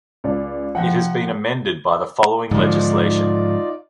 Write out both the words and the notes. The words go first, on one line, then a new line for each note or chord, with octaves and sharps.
It has been amended by the following legislation.
C#2 D5
C3 F3 F#5 G5
G#2 D3 F3 D#4 F4 D5